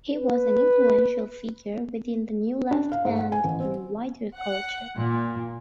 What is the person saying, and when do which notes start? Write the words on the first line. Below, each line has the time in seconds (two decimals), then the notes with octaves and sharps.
He was an influential figure within the New Left and in wider culture.
0.15 B4
2.71 D4
2.92 F5
3.05 G#2
3.19 F#5
3.32 G#5
3.44 A1
3.60 C4
4.38 F#5
4.96 A#2